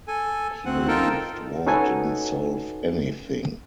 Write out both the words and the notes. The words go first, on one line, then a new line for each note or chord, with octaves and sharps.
He believed war didn't solve anything.
A4 G#5
D2 C4 F#5
D#4 F4 A4 A#4 G5 A5
C#4 D#4 F#4 A4 B4 G#5